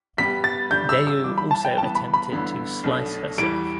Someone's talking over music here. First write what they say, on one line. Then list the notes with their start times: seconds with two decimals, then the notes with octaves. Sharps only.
Dayu also attempted to slice herself.
0.17 G2 G3 B3 G4 B6
0.44 A6
0.71 G1 G2 D3 G3 D4 G6
0.89 E6
1.07 E6
1.24 G1 G2 E3 D6
1.38 B5
1.51 A5
1.65 G5
1.77 G2 E3 B3 A5
1.95 B5
2.14 B5
2.32 A1 G2 D3 B3 E4
2.84 B1 B2 A3 D4
3.37 E2 E3 G3 D7